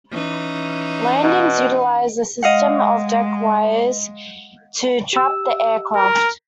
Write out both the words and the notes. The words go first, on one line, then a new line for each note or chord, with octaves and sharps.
Landings utilised a system of deck wires to "trap" the aircraft.
E3 C#4 D#4
B2
G#3 D#5 F5 F#5
G4 E6
A#4